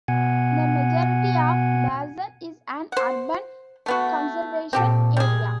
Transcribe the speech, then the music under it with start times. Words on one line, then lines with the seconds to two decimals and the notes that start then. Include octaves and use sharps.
The majority of Balzan is an Urban Conservation Area.
0.08 B2 F#5 G#5
2.92 C5 F#5
3.86 A3 B3 F#4
4.73 A#2 C4 G4 A4
5.17 G3 G#4